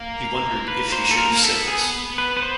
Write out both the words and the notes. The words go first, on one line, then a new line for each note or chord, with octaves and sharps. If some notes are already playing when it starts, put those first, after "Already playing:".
He wondered if he should have said this.
Already playing: A#3
B4
C5
A4
A#4
A#3
B3 A4
G#4
B4
B4
C5